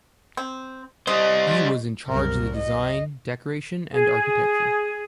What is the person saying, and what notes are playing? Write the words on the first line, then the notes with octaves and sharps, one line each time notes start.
He was in charge of the design, decoration and architecture.
C4
G3 C5 D#5
C2 F#2 A#4
D#5
G#4